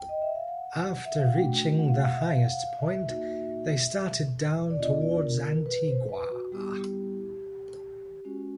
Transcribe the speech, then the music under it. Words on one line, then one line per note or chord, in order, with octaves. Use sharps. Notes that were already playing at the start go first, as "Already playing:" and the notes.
After reaching the highest point, they started down towards Antigua.
Already playing: G5
D#5
E5
F5
F#5
E5
F5
F#5
A3 D4 F#4 G5
F#5
F5
F#5
E5
F5
F#5
F5
E5
A#3 D#4 F#4
D5
B3 D4 F4 D#5
D5
A#4
A#4
B4
C5
B4
F#4
G3 B3 E4 G4
G#3 C#4 F#4